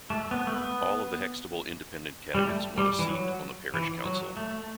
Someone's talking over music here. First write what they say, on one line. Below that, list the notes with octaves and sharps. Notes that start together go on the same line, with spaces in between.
All of the Hextable Independent candidates won a seat on the Parish Council.
A3
B3
A3
B3
G3
A3
G3
E3
F#3
E3
F#3
A3